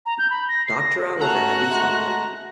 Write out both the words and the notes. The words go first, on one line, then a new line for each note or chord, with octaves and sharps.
Doctorow was a heavy smoker.
A#5
G6
B5
A#6
C7
A#6
A3 C#4 F#4 A4 F#5 A#5 F#6
G#3 A3